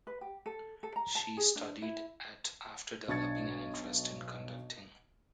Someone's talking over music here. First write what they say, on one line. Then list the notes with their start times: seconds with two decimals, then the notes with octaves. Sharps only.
She studied at after developing an interest in conducting.
0.07 B4
0.21 G4
0.46 A4
0.83 A4
0.96 A#5
1.15 A5
1.37 G#4
1.56 D4
1.82 E4
3.08 B1 D4 C#6 G#6 A6 C#7